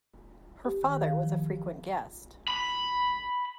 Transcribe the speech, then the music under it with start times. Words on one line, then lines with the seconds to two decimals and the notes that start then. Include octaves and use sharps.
Her father was a frequent guest.
0.65 G4
0.83 D#3
1.05 F5
1.23 F3
2.48 B5